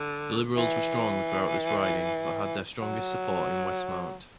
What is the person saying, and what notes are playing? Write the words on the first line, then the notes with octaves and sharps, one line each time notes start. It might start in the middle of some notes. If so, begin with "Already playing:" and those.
The Liberals were strong throughout this riding, but had their strongest support in Westmount.
Already playing: D3
E3
F#3